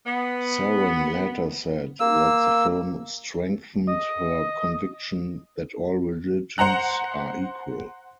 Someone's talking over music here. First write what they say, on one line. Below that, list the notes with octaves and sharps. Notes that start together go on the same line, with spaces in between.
Saran later said that the film strengthened her conviction that all religions are equal.
B3
A#3 E6
D#5
C5 F#5 A#5 F#6